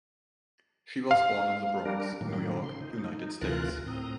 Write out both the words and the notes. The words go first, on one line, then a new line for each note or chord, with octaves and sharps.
She was born in the Bronx, New York, United States.
F5
G3 D4 A#4
A2 D#3 F#3 A#3
C#3 C6
D#4
D2 C3 E3 F4 A#4 F#6
A2 C4 A#5 D#6